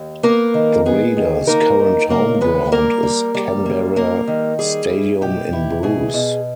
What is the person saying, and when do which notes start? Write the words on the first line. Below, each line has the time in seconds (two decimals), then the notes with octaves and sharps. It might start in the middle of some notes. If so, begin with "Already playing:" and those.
The Raiders' current home ground is Canberra Stadium in Bruce.
Already playing: D#2
0.23 A#3 B3 A#4
0.54 D#3
0.86 B3 G#4
1.17 D#3
1.47 A#3 D#4 A#4
1.79 D#4
2.10 C#3 A#3 A#4
2.41 G#3 B3 B4
2.72 G3 A#3 A#4
3.03 G3
3.34 G3
3.66 A#3
3.96 G3 A#3 A#4
4.27 D#3
4.59 G3 G#4
4.89 E4
5.21 B2 G4
5.53 E4
5.83 B2 G#4
6.14 B2